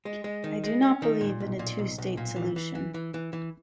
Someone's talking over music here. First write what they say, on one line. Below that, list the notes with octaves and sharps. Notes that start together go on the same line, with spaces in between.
I do not believe in a two-state solution.
G#3
G#3
D#3
G#3
C#4
D#3
A#2
B1
A#2
B1
B1
A#2
E3
E3
E3
E3
E3
E3